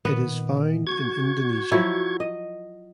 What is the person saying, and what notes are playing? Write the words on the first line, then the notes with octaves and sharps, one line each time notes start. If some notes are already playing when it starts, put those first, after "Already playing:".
It is found in Indonesia.
A#2 D#3 B3
F#4 C#6 G#6
F3 F#3 E4
D#5